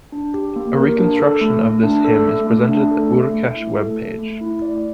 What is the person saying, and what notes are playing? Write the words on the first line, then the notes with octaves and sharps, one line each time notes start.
A reconstruction of this hymn is presented at the Urkesh webpage.
D4
G4
A#3
A#4
D4
A4
A3
A3
D4
A4
A3
A3
D4
A4
A3
A3
E4
A4
A3
A3
E4
D5